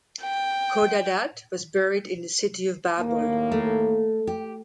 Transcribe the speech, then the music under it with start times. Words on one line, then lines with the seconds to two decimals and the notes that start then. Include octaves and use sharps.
Khodadad was buried in the city of Babol.
0.23 G5
2.98 D#2 A2 A#3
3.52 A3
4.27 G4